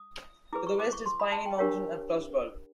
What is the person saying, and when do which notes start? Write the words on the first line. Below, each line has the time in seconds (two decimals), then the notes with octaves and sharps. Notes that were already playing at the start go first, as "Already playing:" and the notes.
To the west is Piney Mountain and Frostburg.
Already playing: D#6
0.53 E4 G#4 B4 D6
0.67 C#6
0.80 D6
0.93 C#6
1.06 C6
1.20 B5
1.32 A5
1.46 G5
1.58 D4 G4 A#4 C#5 F5